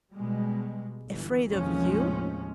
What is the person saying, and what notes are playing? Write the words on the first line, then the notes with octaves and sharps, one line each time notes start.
Afraid of you?
B2 G3 G#3
G1 E3
D#2 A2 C3 F3 G#3 C#4